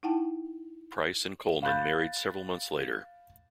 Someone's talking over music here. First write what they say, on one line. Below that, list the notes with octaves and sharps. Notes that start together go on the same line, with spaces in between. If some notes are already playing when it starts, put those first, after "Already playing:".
Price and Coleman married several months later.
D#4 E4 F#5 G5 A5
F5 B5 F#6 G6 A6